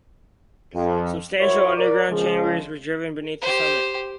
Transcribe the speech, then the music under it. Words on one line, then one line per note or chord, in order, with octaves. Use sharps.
Substantial underground chambers were driven beneath the summit.
F2
E4 F#4 A#4 C5 C#5
A#4 D5
C#3 F3 G#3
G4 C5